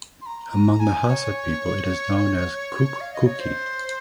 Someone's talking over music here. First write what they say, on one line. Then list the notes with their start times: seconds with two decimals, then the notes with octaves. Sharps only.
Among the Hausa people it is known as Kukkuki.
0.22 C6
0.26 A#5
0.51 A#5
0.80 G#5
1.08 C#5
3.01 F5
3.14 D#5
3.26 C#5
3.40 C5